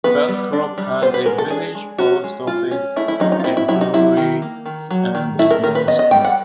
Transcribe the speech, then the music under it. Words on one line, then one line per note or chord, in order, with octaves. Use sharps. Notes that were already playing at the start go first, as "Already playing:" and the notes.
Bugthorpe has a village post office, a brewery and a small school.
B3 B4
G3
D4
G3
B3 C5
B4
G#3 A#4
A4
D4 G#4
G#3
C#4 F#4
G#3
G#3 F4
C#4
A3 E4
E4
F#3 D#4
D#4
F4
C4 E4
E4
F#3 E4
D#4
F#3 E4
D#3
A#3
D#3
F#3
D#3
A3 E4
A#4
D#3 A#4
B4
B3 D#5
D#5
G3 G5
F#5